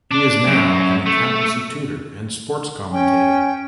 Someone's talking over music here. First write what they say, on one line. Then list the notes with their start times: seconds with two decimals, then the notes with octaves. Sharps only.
He is now an accountancy tutor and sports commentator.
0.11 D4
0.47 F#2
1.06 A3
2.93 C#4 G5